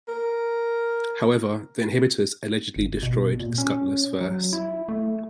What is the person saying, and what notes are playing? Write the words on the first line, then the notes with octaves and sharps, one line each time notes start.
However, the Inhibitors allegedly destroyed the Scuttlers first.
A#4
G1
B2
A#2
C#4
F#3
E4
A3